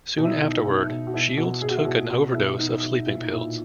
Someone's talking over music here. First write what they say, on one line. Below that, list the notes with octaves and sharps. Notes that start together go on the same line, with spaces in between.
Soon afterward, Shields took an overdose of sleeping pills.
B2 D#4
E4
D#4
B2
B2
B2
F#4
B2 E4
B2 F#4
B2 G#4
F#4
E4
B2 F#4
B2 F#4
B2 E4
B2 D#4
B2
A#2 E4
D#4
A#2 E4